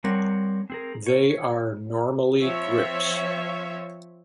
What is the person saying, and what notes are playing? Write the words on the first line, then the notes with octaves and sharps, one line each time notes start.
They are normally grips.
G3 C4 A#4 C#5 F#5
C4 G#4 A#4
C#5
F3 C4 F4 C#5 E5